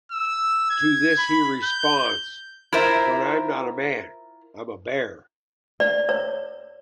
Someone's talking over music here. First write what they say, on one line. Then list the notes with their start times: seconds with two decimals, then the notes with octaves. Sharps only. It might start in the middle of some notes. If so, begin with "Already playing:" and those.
To this he responds, "But I'm not a man, I'm a bear".
0.12 E6
0.70 G#6
1.18 B5
1.63 G6
2.73 E4 F4 A#4 C5 E5
5.80 D5
6.09 C#5